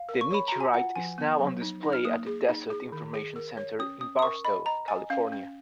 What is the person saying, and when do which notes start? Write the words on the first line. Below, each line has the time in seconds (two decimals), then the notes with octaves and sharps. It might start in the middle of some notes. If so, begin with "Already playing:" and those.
The meteorite is now on display at the Desert Information Center in Barstow, California.
Already playing: F5
0.09 A#4
0.21 C#6
0.31 C#5 B5
0.48 F#4 A#5
0.60 G#5
0.74 F4 F#5
0.96 F3 G#5
1.18 B3
1.39 F#3
1.61 D#4
1.83 D#4
1.93 F6
2.05 A#3 D#6
2.26 G#4
2.48 D#4
2.70 G#4
2.92 D#3
3.14 G#4
3.36 A#4
3.57 C#5
3.79 C#4 D#6
4.01 C#4 D#6
4.19 D#6
4.22 A#4 C#6
4.45 D#5 B5
4.66 D#5 A#5
4.88 D#5 G#5
5.10 C#4 F5
5.32 C#4